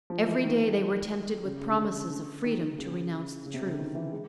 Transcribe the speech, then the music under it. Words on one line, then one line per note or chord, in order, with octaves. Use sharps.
Every day they were tempted with promises of freedom to renounce the Truth.
F3
E3
D#3
C#3
C#3
D3
C#3
C#3
D3
D#3
D#3
C#3
C#3
C3
C#3
D3
D#3
E3
G#3